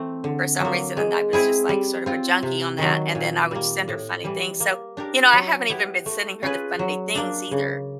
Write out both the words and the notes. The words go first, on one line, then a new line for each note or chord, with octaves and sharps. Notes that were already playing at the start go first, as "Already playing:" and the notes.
for some reason and I was just, like, sort of a junkie on that, and then I would send her funny things, so, you know, I haven't even been sending her the funny things either
Already playing: E3 A3 C4
D3
F#3 A#3
G#3
C4 E4 G#4
G3
C4 F4
C3
D#3 F#3
A#2
G3 A#3
A2
E3 G3
A#3
D4 G4 A#4
F#3
B3 E4 G4
A3
C#4 F4 G#4 B4
F#3
A#3 D4
C#3